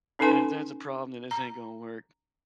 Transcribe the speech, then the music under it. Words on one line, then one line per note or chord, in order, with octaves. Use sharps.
and if that's a problem, then this ain't gonna work.
C#4 D#4 A4 B4 G#5 C6
A#5